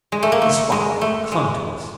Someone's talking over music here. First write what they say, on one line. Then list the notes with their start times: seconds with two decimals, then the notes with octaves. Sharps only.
His spotlight clung to us.
0.12 G#3
0.23 A3
0.32 A#3
0.42 A3
0.72 G#3
1.01 A3
1.32 G#3